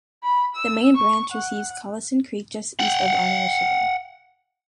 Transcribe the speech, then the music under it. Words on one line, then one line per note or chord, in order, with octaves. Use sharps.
The main branch receives Collison Creek just east of Honor, Michigan.
B5
E6
C#6
F#5
F#5 G5